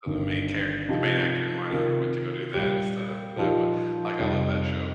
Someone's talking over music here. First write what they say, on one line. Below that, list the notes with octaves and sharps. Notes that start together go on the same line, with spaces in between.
So the main character the main actor in Mindhunter went to go do that instead of that, but like, I love that show
G1 G2 D#3
C3 F3 D#4 G4
C3 D#3 A#3 F4 A#4
A#2 G3 A#3 G4
A#2 F3 D#4 G4
F2 C3 G3 D#4